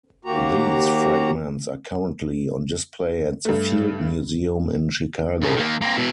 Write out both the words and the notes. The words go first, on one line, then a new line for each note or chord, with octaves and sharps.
These fragments are currently on display at the Field Museum in Chicago.
D#2 A#3 F#4 G4 A#5
G2 A3
G2 C#3
D#3 A#3
A#3 C4
B2 E4